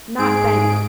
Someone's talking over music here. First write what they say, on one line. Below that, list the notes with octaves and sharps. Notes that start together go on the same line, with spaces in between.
Not Benny!
G#2 G#4 D7